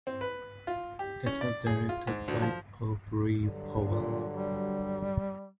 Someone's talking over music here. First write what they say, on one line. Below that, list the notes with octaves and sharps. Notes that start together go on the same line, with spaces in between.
It was directed by Aubrey Powell.
C4
B4
F4
G4
C#4
D5
G#4
F4
G#2
D2
F3
G2 D3 F#3
A#2
G3